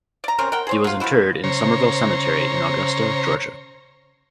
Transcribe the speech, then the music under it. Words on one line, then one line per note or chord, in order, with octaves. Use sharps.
He was interred in Summerville Cemetery in Augusta, Georgia.
D5 A#5
C3 C4 C#4 A#4
A#4 F#5 G5
G#4 C5 C#5
F#3 F4
F3 G3 E4 F#4
C#3 C5 C#5 A#5